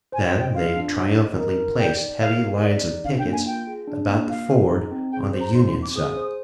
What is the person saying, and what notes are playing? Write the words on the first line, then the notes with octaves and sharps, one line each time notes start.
Then they triumphantly placed heavy lines of pickets about the ford on the Union side.
C5 G#5
G5
D#5
G5
F4 F5
D4
C5
D#5
A#4
D#4
D5 G5
D#4
A#4 F5
D#4
D5
D#4
D4 F5
G5
A#3
G#5
F4 G5
G#4
D4
A#3
F4 F5
G#4
D#4
C4
G#4 G5
C5
A#5
D#4 C6
C6
C4
D6
G#4 D#6
C5